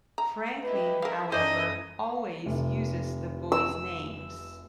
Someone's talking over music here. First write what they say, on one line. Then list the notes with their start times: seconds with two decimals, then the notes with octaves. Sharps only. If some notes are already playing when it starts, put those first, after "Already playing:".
Franklin, however, always uses the boys' names.
0.18 A#5
0.63 E4 G4 B4 D#5
1.02 E4 A#4 F5
1.32 F#2 D#4 A4 C5 D5 D#5 D#6
2.46 F1 C3
3.52 E6